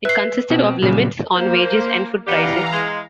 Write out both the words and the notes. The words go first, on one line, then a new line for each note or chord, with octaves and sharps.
It consisted of limits on wages and food prices.
B4 E5 C7
B2 C4
A#2 C#3 F#3 G3
F3 A#3 C5
E3 B3 D4 G4 F5 A#5
G#3